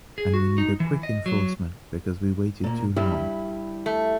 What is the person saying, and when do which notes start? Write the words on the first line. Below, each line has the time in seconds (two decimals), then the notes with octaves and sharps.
And we need a quick enforcement, because we waited too long.
0.18 G#4
0.34 F#4
0.58 D#4
0.80 E3
1.03 D#5
1.26 F#3
2.64 A#2 A#3
2.96 G2 G3 E4 G4
3.86 A3